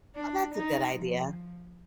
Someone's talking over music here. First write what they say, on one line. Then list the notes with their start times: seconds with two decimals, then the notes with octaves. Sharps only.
Oh, that's a good idea.
0.16 D4
0.54 D#4
0.92 F3